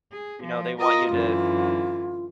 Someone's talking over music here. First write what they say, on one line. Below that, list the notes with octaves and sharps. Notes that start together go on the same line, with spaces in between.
you know, they want you to
G#4
F3
F4 A#4 D#5 D#6
F#2 D3 E3